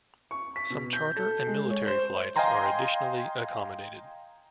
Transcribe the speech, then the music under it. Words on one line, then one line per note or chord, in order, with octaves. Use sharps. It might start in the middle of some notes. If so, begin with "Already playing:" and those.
Some charter and military flights are additionally accommodated.
C#6
B6
B2
G6
A4
G#3
C#5
C5
D#5 F5 G5 G#5 A#5 C6